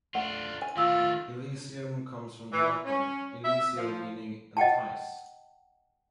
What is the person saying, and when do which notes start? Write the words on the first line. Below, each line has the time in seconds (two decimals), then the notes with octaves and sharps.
"Illicium" comes from the Latin "illicio" meaning "entice".
0.14 A3 D4 F4 F#5
0.62 G#5
0.77 D#3 A3 F4 F5 E6
2.52 E3
2.86 C#4
3.44 E5
3.77 F3
4.57 D#5 F#5 G5 A5